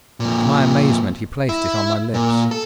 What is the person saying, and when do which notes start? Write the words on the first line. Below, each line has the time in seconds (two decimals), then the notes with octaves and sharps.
To my amazement he placed it on my lips.
0.20 F2 A#2
1.49 E4
2.14 A#2
2.51 A4